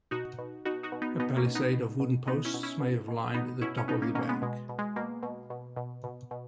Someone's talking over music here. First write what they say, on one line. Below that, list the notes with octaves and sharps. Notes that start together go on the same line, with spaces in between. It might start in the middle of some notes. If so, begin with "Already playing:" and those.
A palisade of wooden posts may have lined the top of the bank.
B2 D#4 F#4
B2
B2 D#4 F#4
D#4 F#4
B2
B3 D#4
B2 B3 D#4
A#3 C#4
B2
B3 D#4
B2
B2
B2 B3 D#4
C#4 E4
B2
C#4 E4
B2
B2
B2 B3 D#4
B2 C#4 E4
C#4
B2 B3 D#4
A#3 C#4
B2 A#3 C#4
G#3 B3
B2 G#3
B2
G#3
B2 A#3
B2
B2
B2
B2
B2